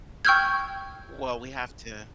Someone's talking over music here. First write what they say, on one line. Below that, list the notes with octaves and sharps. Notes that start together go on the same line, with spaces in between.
Well, we have to
G5 C#6 E6 F6 G6 G#6